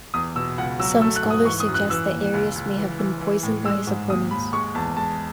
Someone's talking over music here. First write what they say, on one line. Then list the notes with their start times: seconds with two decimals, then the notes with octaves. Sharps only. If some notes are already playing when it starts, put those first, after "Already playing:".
Some scholars suggest that Arius may have been poisoned by his opponents.
0.14 E2 D#6
0.36 B2 E6
0.58 C#2 F#5
0.79 F#3 E6
1.01 A3 E6
1.16 F#6
1.24 G#2
1.30 D#6
1.45 E3 C#6
1.60 D#6
1.67 F#2
1.74 F#6
1.90 E3 E6
2.11 D#2
2.34 C#2
2.56 C#2
2.78 E3
2.99 E3
3.21 E3
3.43 A2
3.65 G#3 E6
3.87 G#2
4.10 D#2 D#6
4.31 D#2 B5
4.53 G#3 C#6
4.75 E2 A5
4.97 G#3 A5